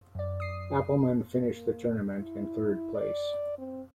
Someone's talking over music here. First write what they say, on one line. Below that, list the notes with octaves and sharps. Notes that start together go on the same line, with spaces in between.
Appleman finished the tournament in third place.
F#2 D5
D#6 C7
A#3
E4
D5
C4